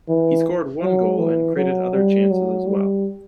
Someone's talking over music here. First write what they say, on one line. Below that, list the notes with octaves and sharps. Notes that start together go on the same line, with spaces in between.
He scored one goal and created other chances as well.
E3
F#3
E3
F#3
G3
F#3
G3